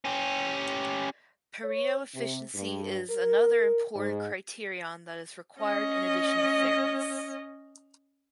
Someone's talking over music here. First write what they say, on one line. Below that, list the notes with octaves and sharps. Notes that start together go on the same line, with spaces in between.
Pareto efficiency is another important criterion that is required in addition to fairness.
C#4 G4
C#5
C3
G2
A#4
G#2
C#4 D#5